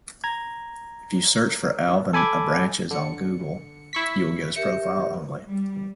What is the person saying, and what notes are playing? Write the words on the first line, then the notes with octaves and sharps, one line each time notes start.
If you search for Alvyn Abranches on Google, you will get his profile only.
A#5 G#6
A4 G#5 B5 D6 G#6
D3 C#7
E4 C#6 B6
G4 A#4 E5 C#7
G3